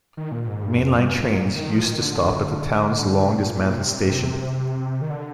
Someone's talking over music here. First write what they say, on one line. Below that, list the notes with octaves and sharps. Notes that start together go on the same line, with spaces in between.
Mainline trains used to stop at the town's long dismantled station.
D#3
A#2
G#2
G2
F2
G2
A#2
A#2
D#3
F3
D#3
D3
C3
A#2
A#2
C3
C3
D#3
D3